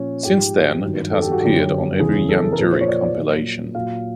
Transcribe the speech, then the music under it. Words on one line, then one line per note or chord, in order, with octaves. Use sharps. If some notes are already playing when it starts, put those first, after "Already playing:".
Since then it has appeared on every Ian Dury compilation.
Already playing: A#2 F3 C#4
G#2 F3 G4
G2 D#3 F#3
A4
G4
F#4
F#2 D3 F#3 G4
E2 C#3 E3 G#4
A4
A#4
A#2 F3 B4
C5
C#5
D5
D5
A#2 F#3
A#2 F#3 F5